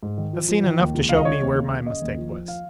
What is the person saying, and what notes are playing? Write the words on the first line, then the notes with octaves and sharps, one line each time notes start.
I've seen enough to show me where my mistake was.
G#2
D#3
F3
F3
D#3
D#2
C#2
C#2 F5
D#5
C#3 C#5
D#2
C#3
D#2
C#3 D#5
D#2
F3
F3
F5